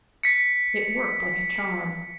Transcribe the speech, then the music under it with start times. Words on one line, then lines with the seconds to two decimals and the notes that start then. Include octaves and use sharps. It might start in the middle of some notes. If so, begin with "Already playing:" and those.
It worked like a charm.
0.23 B6 C#7